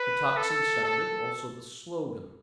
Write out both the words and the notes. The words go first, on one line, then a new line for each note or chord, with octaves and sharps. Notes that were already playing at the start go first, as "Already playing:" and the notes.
The tocsin sounded, also the slogan.
Already playing: B4
A4
A4